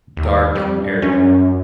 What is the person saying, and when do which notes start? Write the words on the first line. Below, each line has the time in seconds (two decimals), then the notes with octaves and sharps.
dark area.
0.17 D#2
0.55 F2 G3
0.78 G2
1.02 F#2 C#4